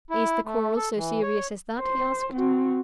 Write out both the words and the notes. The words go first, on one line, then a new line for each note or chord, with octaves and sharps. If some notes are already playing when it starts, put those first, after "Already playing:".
"Is the quarrel so serious as that?" he asked.
E4
A3
A4
E3
C#5
C5
C4 F#4